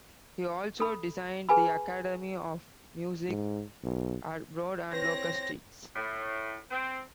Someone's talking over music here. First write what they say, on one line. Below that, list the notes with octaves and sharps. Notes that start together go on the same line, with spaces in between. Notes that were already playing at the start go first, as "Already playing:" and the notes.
He also designed the Academy of Music at Broad and Locust Streets.
A4 B5
G#4 B4 G#5 B5
G#2
B1
C4 E4 B4 C#5 A#6
A2
C4